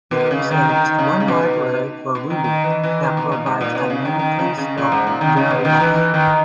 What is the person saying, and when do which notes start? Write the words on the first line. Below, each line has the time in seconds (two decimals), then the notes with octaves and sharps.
There is at least one library for Ruby that provides dynamically-scoped variables.
0.11 B2
0.31 C#3
0.51 D#3
0.69 D#3
0.98 C#3
1.20 C#3
1.28 B2
2.15 B2
2.30 D#3
2.44 D#3
2.64 E3
2.84 E3
3.03 D#3
3.17 B2
3.32 A#2
3.46 G#2
3.61 A#2
3.75 B2
3.90 C#3
4.05 D#3
4.19 D#3
4.39 C#3
4.58 C#3
4.78 A#2
4.92 G#2
5.07 A#2
5.21 D#3
5.37 C#3
5.50 B2
5.65 D#3
5.80 E3
5.94 E3
6.14 D#3